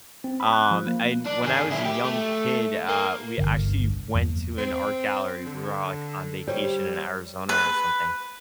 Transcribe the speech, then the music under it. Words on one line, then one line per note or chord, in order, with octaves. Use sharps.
um, and when I was a young kid, uh, we actually went to an art gallery, we were all, like, on vacation in Arizona or something,
C4
B5
F#6
F3
A#3
D4
D#3 G#4
F#3 E4
G4
A3
A#3
G1 C2 G2 D3
E2 F3 G#3 A#3
C4
D3
G3 G4 C5 C#5
B4